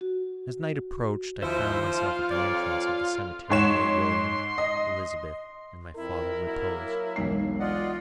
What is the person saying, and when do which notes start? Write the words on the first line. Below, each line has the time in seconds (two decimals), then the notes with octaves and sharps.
As night approached I found myself at the entrance of the cemetery where William, Elizabeth, and my father reposed.
0.01 F#4
1.42 D#2 F3 E4 C5
1.98 F4
2.31 F2 C#5 D5
3.50 G#2 C#5 C6 E7
4.58 D#5
5.96 F2 E4 A#4
6.45 F#3 A#3 E4
7.16 E1 B1 C7
7.60 F4 D5 D#5 F#5